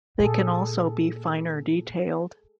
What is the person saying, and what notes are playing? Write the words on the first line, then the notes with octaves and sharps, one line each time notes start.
They can also be finer detailed.
A#2 G#4 A4